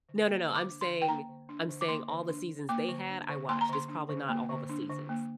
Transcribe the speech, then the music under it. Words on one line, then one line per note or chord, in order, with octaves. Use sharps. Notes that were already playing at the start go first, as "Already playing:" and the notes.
No, no, no, I'm saying I'm saying all the seasons they had, I watched, it's probably not all the seasons.
D3
A#3
D3
D6
D4
C6
D3
G5
A#3 A#5
D3
D4
D3
D6
A#3 C6
D3
D4
D3
A#3 D6
D3
D4
D3
A#3 C6
A#5
D3 C6
D4
D3
A#3
D3
D4
D3
A#3